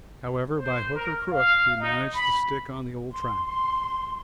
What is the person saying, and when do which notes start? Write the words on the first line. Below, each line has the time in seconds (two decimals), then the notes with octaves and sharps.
However, by hook or crook, we managed to stick on the old track.
0.57 C5
0.94 A#4
1.31 F5
1.79 D#4
2.13 B5
3.09 C6